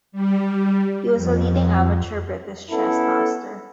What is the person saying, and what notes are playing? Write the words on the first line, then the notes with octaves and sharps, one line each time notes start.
He was a leading amateur British chess master.
G3
F2
B3 C#4 E4 A4